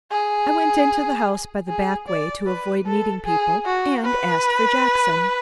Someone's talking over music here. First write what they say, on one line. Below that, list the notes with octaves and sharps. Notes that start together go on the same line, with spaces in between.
I went into the house by the back way to avoid meeting people and asked for Jackson.
G#4
G#4
D5
B4
A4
G#4
F#4
B4